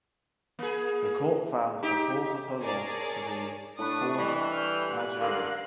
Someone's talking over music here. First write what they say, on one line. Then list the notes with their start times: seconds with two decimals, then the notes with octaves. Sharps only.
The court found the cause of her loss to be "force majeure".
0.59 A#3 G#4
1.83 D#4 G4
2.60 G#4 A#4 C#5 D5 A5
3.79 A2 D4 A5 B5 C#6 D#6 F#6
4.18 E3 G3 D#5
4.53 F6 G6
4.89 F#5 C6 F#6
5.19 G2 D3 A#4 F5